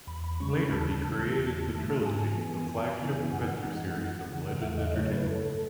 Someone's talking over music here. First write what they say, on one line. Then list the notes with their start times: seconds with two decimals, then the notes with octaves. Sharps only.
Later, he created the trilogy, the flagship adventure series of Legend Entertainment.
0.07 E2 B5
0.24 B5
0.40 C#3 G#3 C#4 C#6
0.56 B5
0.73 D#2 A5
1.05 C#3 E3 A3
1.37 E2
1.70 D#3 A3 E4
2.02 G#2 G#5
2.35 E3 B3
2.67 F#2
2.99 C#3 E3 B3 E4
3.32 F#2 F#5
3.64 E3 G#3 D#4
3.97 F#2
4.29 C#3 E3
4.62 E2 E5
4.78 D#5
4.94 C#3 F#3 A3 E4 C#5
5.11 B4
5.26 F#2 A4